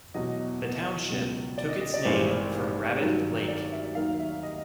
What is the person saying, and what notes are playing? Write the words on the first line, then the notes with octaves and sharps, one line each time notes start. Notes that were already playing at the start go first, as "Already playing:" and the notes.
The township took its name from Rabbit Lake.
E2 B2 F#3 D#5
C#2 B2 F#3
D5
D#5
D#5
D5
G#1 G2 E3 G#3 C5
G#1 G2 D#3 F#3
D5
E5
D#2 D#3 F#3 F5
E5
D#5